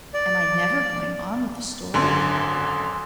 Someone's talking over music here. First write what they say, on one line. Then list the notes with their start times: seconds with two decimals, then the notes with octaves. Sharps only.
Am I never going on with the story?
0.14 D5
1.94 G#1 F#2 D3 G#5 C6